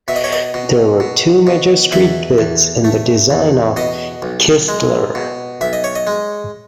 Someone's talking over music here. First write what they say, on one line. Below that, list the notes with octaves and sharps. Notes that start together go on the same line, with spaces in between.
There were two major street widths in the design of Kistler.
B2 E5
D#5
C#5
D#5
B2
B2
B2
E2 E5
E2
A3
E2
B2 D#5
B1
G#3
B2
B1 E5
D#5
C#5
D#5
G#3